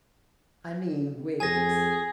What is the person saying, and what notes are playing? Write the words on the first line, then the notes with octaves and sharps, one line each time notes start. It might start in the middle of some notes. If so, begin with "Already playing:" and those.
I mean Wiggs.
F2 G#4 G#5 A#6